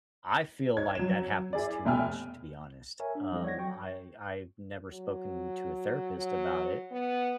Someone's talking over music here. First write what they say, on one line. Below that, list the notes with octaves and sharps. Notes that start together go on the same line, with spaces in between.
I feel like that happens too much, to be honest, um, I I've never spoken to a therapist about it
D#4 C#5 G#6
F#3 E7
E4 G#4 D5
F1 B2 E5 G5 G#5 F6
A#4 C#5 E5 G#5
D4
F3 G3 C4 E4 A4 D#5
C#5 D5 F#5 G#6 A#6
F#3 G5 C#6
F#3
F#3
B3